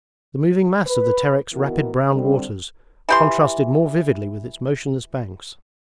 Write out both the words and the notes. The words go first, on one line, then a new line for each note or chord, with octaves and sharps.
The moving mass of the Terek's rapid brown waters contrasted more vividly with its motionless banks.
B4
D#3 E3 B3 F#4 A#4
D3 G3 C4
E3 G4 C6